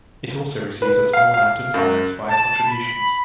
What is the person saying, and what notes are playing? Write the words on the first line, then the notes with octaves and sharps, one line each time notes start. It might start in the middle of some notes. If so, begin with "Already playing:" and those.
It also receives a small amount of finance via contributions.
B4
F5
F5
F#2
A5
B5